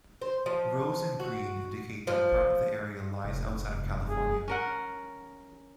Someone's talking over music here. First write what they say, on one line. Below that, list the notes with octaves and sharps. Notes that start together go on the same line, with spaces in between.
Rows in green indicate that part of the area lies outside of California.
C5
F3
F#4
F3
F1
G#4
C#4 A#4 F#5